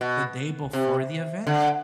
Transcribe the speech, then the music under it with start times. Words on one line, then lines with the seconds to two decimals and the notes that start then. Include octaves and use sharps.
the day before the event,
0.01 B2
0.73 C3
1.47 D3